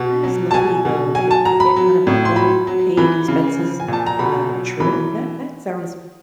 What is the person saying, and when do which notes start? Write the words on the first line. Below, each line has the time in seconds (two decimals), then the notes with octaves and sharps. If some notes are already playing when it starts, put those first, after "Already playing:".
That is lovely, though, to get kind of a full paid expenses uh, trip, that that sounds
Already playing: B2
0.24 F#3
0.51 A5
0.54 B2 G#5
0.85 B2
1.15 F#3 G#5
1.31 A5
1.45 F#3 A#5
1.60 B5
1.76 F#3
2.07 A2
2.25 C6
2.36 F#3 B5
2.67 F#3
2.97 E3 B5
3.28 C#3
3.59 F3
3.80 G#5
3.88 A#2 A5
4.06 A#5
4.19 B2 B5
4.50 F#3
4.80 E3 B5